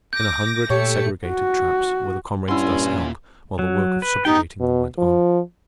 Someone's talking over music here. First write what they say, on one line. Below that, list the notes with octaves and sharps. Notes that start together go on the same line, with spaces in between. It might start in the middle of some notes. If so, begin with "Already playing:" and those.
In a hundred segregated traps were the comrades thus held while the work of subjugating them went on.
D6 G6 A#6
A#2 A3 G4 C#5 E5 C#7
F#4
G2 A#2 C#4 E4 F#5 C6
F#3
B4
B3 D#4 G4 G5
B2
F3